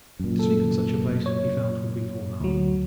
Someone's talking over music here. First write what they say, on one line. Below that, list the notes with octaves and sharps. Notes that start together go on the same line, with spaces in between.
To sleep in such a place, he felt, would be foolhardy.
F#2 A#2
A4
C#5
D2 F#3